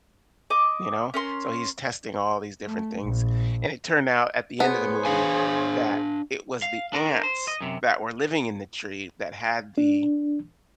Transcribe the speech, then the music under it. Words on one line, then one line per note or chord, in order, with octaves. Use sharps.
you know? So, he's testing all these different things, and it turned out at the end of the movie that it was the ants that were living in the tree that had the
D#5 D6
C#4 A#4 C6
A3
A#1
B3 G#4 C5 C#5
D4 F5 G#5
F5
D4 A#4
C5
D#5
F#2 C3
D4